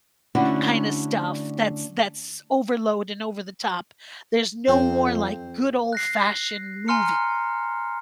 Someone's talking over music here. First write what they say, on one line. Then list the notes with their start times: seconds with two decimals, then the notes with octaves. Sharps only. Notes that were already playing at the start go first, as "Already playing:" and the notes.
kinda stuff that's that's overload and over the top. There's no more, like, good old-fashioned movie,
0.35 D3 A3 C#4 D4 E4 F#4
4.69 F2 C4
5.93 F#6 A#6 C7
6.88 G#5 A#5 C6 F6 C#7